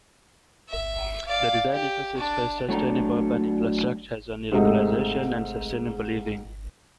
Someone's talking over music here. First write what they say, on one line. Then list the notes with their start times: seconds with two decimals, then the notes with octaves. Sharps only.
The design emphasis for a sustainable urban infrastructure is on localization and sustainable living.
0.69 E5
1.27 D5 F5
1.71 G4
2.17 D4
2.69 F#3 A3 D4 A4 A#5
4.52 G#2 C3 G#3 A3 D#4